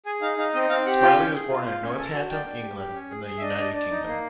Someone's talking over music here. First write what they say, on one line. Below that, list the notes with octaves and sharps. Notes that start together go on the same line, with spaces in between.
Smiley was born in Northampton, England in the United Kingdom.
G#4 G#5
D#4 F5
D#4 F5
C4 D#5
C4 F5
G4 F#5
F4 G5
C#4
G#4
F4
F4
C#4
A4 G#5
F#4 G#5
D4 G5
D4
G4
G4
C#4
G#4
G#4
E5
D4 D#5
D4
D4
D#4
A#3